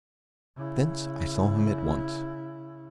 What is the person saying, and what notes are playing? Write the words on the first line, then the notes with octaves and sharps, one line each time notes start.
Thence I saw him at once.
C#3 E4